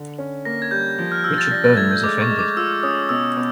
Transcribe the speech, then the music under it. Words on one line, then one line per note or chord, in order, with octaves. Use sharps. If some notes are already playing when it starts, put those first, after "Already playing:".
Richard Byrne was offended.
Already playing: D3
C#4
A#3 A#6
G#6
G3 G6
F3
F6
F4 E6
A6
D4 A#6
A6
A3 G#6
G6
G#3 D6
C#6
G#3
D6
F4 E6
C#4 D#6
B2 E6
B2